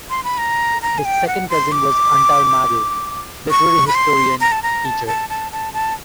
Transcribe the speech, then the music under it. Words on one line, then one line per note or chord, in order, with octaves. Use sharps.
His second cousin was Antal Mádl literary historian, teacher.
C6
B5
A#5
A#5
G#5
G5
F#5
C6
D6
C#6
B5
C6
A#5
A5
A#5
A5
A5
A5
A5
A5